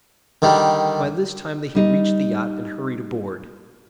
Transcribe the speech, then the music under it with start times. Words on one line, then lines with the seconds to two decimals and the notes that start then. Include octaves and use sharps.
By this time they had reached the yacht and hurried aboard.
0.42 D3 D#3 G3
1.75 G3 D#4